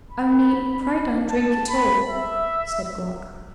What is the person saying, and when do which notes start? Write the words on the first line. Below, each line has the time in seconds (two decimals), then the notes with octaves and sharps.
"Only pray don't drink it all," said Gluck.
0.11 B5
1.30 A5
1.70 B5
2.09 E5